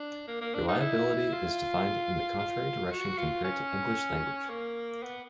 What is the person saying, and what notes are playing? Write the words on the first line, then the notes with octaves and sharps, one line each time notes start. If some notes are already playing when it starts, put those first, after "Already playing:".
Reliability is defined in the contrary direction compared to English language.
Already playing: D4
A#3
A#3
D4
D#4
E4
F4
F4
F#4
F4
C#4
A#3
B3